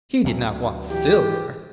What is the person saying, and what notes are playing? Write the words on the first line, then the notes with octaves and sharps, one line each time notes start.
He did not want silver.
D2 F#3
E3 G4